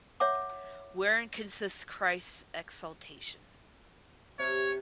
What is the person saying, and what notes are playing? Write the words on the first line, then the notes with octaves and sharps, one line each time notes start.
Wherein consists Christ’s exaltation?
C#5 E5 F#5 D6
C3 C#5